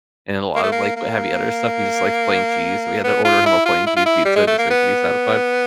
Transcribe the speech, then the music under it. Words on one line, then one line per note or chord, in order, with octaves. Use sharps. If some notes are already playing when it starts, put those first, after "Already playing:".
and a lot of like heavy other stuff, he just likes plain cheese, so we had to order him a plain cheese pizza just so he could be satisfied.
A#3
A3
A#3
A#3
B3
F4
E4
F4
E4
F4
E4
G3
G#3
A3
A#3
B3